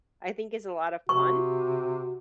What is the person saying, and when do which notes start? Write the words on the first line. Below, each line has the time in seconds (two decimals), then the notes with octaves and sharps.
I think it's a lotta fun
1.09 C3 F#4 C#6